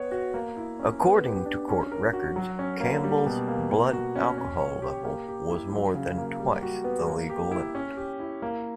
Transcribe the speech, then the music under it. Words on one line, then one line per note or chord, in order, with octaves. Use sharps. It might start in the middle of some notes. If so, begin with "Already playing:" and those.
According to court records Campbell's blood-alcohol level was more than twice the legal limit.
Already playing: B3 C#5
F#4
A#3
E4
C#4
B3
G4
D4
C#4
A#4
F#4
F#3
C#4
A#3
G3
B2
A#3
A#3
F#4
C#4
C#4
C#5
G4
A#3
G4
E4
F#3
C#3
A#3
G3
F#4
B3
A#3
G4
E4
C#4
G4
E4
A#3